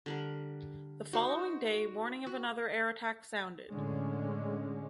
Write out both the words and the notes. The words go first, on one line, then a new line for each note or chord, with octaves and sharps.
The following day, warning of another air attack sounded.
D3 G3 A#4
D#4 F#4 C5
F#4
A2 D3 G#3 C#4